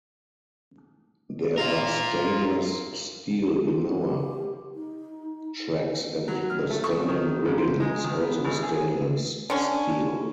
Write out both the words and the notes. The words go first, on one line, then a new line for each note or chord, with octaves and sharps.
There are stainless steel genoa tracks and the standing rigging is also stainless steel.
F4 A#4
F4
G4
D#4
F#3
F6
A3
C#6
D#3
A1
C5
G#3
D#3
B3
G#1
G#4
D3 C#4